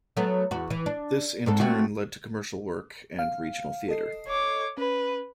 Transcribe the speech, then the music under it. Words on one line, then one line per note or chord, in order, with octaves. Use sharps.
This, in turn, led to commercial work and regional theatre.
F#3 A3 B3
E2 F#4
E3
D4
G#2 C4 A4
A3 C4 F#4
F5
A4 D#5 C7
C#5 D6
C#4 B4